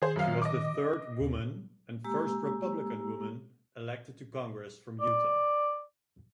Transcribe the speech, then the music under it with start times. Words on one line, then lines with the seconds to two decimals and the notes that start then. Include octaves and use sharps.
She was the third woman and first Republican woman elected to congress from Utah.
0.02 D#3 G#4 C5
0.16 F#2 F5
0.42 D#5 D6
1.20 D#2
2.04 G#3 A#3 G4 A#5 E6
5.01 D5